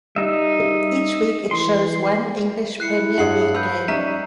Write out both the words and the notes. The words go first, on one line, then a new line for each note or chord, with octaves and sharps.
Each week it shows one English Premier League game.
G3 D#4 E5
E3 C6
E4 F#6 C7 C#7
G2 F#3 G#4 F#5 C7 F#7
B4 E6 G6
G3 C#4 D#4 E5 A#5 C#6 B6 D#7